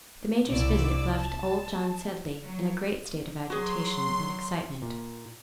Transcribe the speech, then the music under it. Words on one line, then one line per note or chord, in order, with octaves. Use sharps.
The Major's visit left old John Sedley in a great state of agitation and excitement.
C2 E4 D5 D6 E6
A5
F#3
F#3 F#4 G#4 C6
A#2